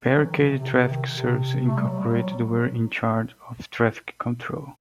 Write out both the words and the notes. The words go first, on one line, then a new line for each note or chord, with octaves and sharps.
Barricade Traffic Services Incorporated were in charge of traffic control.
F#3
E3
D#3
C3
C3
C3
D#3
C3
A3
G3
F#3
G3
G3
F#3
F#3